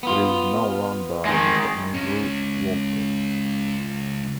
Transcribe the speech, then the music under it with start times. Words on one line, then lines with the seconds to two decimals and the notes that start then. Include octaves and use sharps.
It is now run by Mr Andrew Walker.
0.03 B3 F4
1.25 D#3 G#3
1.94 C#2 C#4